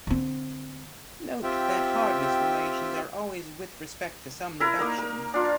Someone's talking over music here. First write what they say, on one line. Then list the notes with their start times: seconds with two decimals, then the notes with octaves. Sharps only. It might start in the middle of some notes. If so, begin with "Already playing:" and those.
Note that hardness relations are always with respect to some reduction.
0.07 D3 C4
1.43 C4 F4 G4 E5 G5
4.60 E4 A#4
4.79 A#3 D#4 A#4
4.98 A#4
5.34 D4 F4